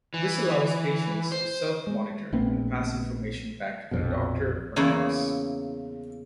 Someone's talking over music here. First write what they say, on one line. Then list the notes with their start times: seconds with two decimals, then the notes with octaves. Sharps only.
This allows patients to self-monitor and pass information back to their doctor or nurse.
0.14 E3
1.32 C5
1.87 G#3
2.32 A#1 A3 B3 C4
3.91 A#1 F2 B2
4.76 E2 C#3 A#3 E4